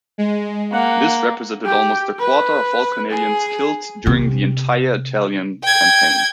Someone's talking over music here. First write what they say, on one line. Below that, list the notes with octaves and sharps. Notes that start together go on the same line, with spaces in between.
This represented almost a quarter of all Canadians killed during the entire Italian Campaign.
G#3
A#3 F#5
G4
B4
G#4
C3 C4
G5 G#6